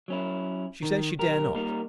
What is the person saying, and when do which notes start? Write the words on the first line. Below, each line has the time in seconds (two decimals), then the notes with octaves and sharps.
She says she dared not.
0.08 F#3 C#4 E4
0.83 D#3
1.19 B1 G4 A#4
1.55 G3 A#3 D#4 A#4